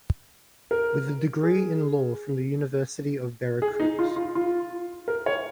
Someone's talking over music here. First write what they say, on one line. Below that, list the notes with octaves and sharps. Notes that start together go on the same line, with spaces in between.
With a degree in Law from the University of Veracruz.
A#4
G#4
G#4
D#4
F4
F4
F4
A#4
C#5